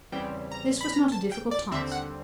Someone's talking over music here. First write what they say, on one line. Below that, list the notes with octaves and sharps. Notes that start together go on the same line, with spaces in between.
This was not a difficult task.
E2 C#3 E3 G3 C4 G5
A#5
B5
A#5
A5
G5
D5
D#2 D3 G3 C4 E5
F#5